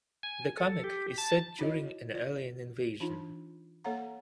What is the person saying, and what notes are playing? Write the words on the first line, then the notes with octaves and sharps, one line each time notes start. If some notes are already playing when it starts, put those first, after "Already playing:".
The comic is set during an alien invasion.
G#5
A4
G4
A5
D#4 E4 F#4 C#5 D#5
F4 D5
E3 D4 D#4 F4
A#3 A4 C#5 F5 F#5 A#5